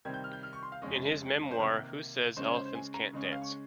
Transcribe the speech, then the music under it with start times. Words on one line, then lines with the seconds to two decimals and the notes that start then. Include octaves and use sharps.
In his memoir, Who Says Elephants Can't Dance?
0.05 C3 D#3 G3 C4 G#6
0.14 G6
0.24 F6
0.33 G6
0.43 F6
0.53 C#6
0.63 C6
0.72 F5
0.82 F2 C#3 G#3 C#4 D#5
1.52 C5
1.59 C3 D#3 A#3 A#4
2.37 C#3 G#3 C#4 C5
2.46 C#5
2.55 C5
2.66 C5
2.75 G#5
2.94 A#5
3.13 C#3 G#3 C#4
3.23 D#5
3.32 F5
3.42 C#6